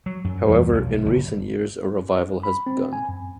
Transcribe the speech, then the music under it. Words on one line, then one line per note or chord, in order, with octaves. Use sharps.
However, in recent years a revival has begun.
F#3
F#2
E2 E3 G3 G#3
B1
F#1
B5
C4
G#5
F#2